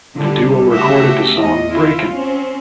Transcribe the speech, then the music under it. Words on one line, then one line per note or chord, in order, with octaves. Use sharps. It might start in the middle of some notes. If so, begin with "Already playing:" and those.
The duo recorded the song Breakin'...
D3 G3
C#3 A3 F#4 G4 E5
E2 D#5
E4 F4
C4 C#4